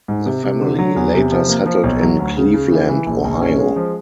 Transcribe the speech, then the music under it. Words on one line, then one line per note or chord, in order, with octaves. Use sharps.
The family later settled in Cleveland, Ohio.
G#2
C3
C3
D3
F#3
E2
C3
F3
A#3
F3
B1
F#3
D2
C#3
C#3
E3
E3
A#1
A#1
C#4
G#3
F3